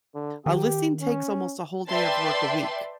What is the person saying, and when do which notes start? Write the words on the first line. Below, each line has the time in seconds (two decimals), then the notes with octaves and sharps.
a listing takes almost a whole day of work a week.
0.15 D3
0.46 D#3 G4
1.01 C#4
1.88 B4 D5 E5 G5 A5 C6